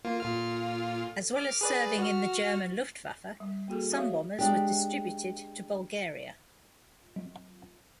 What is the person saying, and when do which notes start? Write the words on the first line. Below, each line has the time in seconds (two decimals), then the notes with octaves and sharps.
As well as serving in the German "Luftwaffe", some bombers were distributed to Bulgaria.
0.05 A#3 F4
0.20 A#2 F4 F6
1.36 D6 F6
1.61 G#4 B4 D5
1.99 F#4 F6
3.40 G3
3.68 A#3 F#4 G#4 A4
3.92 F#4 G4 C#5 D5 E5 F5
4.39 G#3 D4 G4
7.16 F#3